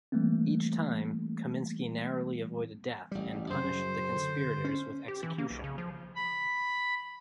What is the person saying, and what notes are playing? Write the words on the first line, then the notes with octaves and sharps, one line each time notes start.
Each time, Kaminski narrowly avoided death and punished the conspirators with execution.
E3 G3 A3 A#3 C4
A1 G3
F#2 C#3 C5
D3
C#4
G4
E3
A#3
B1
C#3
F3
B5